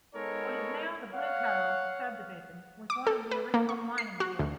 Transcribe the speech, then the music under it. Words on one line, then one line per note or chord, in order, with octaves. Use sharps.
What is now the 'Blue Cove' subdivision, was one of the original mining pits.
G#3 B3 D#4 A4 A#4 C#5
C#5 F5 F#5
D6
A4
B4
A#3
C#6
C7
F#4
D2